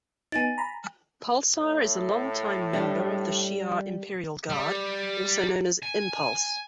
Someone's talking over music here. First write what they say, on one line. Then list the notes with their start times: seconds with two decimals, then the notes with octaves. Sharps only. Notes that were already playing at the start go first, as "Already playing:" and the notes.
Pulsar is a long-time member of the Shi'ar Imperial Guard, also known as Impulse.
0.32 B3 D#4 G#5 A6
0.58 A#5 B5
1.55 A2
2.73 G3 D4
4.49 G3
5.83 G#5